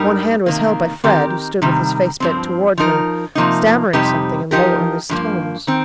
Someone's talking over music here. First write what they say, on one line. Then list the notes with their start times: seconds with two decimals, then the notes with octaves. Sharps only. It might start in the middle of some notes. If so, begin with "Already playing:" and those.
One hand was held by Fred, who stood with his face bent toward her, stammering something in low earnest tones.
Already playing: G2 G3 D#4 A#4
0.46 C3 D#3 A#3
1.04 D#3 C4 G4 A#4
1.62 C3 D#3 G3
2.20 G2 F3 C4
2.78 F3 D#4 A#4
3.35 C3 F3 A#3 D#4
3.93 F2 C3 G3 D#4 G4
4.51 F3 D#4 G4 A#4
5.09 G2 F3 A#3
5.67 D#3 C4